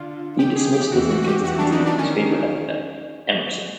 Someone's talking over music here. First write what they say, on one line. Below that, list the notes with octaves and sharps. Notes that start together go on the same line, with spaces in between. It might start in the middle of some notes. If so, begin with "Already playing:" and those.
He dismissed this inconsistency with his favorite epithet, Emerson!
Already playing: D3 F4
D#3 G4
G#4
G4
E2 E3 F#4
F#4
F#4
G4
E2 E3 F#4
D4
D#4
D4
D#3 C#4